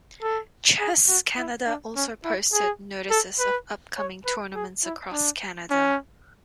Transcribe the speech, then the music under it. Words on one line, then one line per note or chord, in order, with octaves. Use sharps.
"Chess Canada" also posted notices of upcoming tournaments across Canada.
A4
G#4
F#4
E4
D4
C#4
E4
G#4
A4
B4
C#5
B4
G#4
E4
D4
C#4